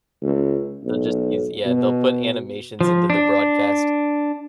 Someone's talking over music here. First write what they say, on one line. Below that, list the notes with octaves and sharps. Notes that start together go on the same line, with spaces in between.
They'll just use yeah, they'll put animations into the broadcast.
C#2
B1
B2
F3
D4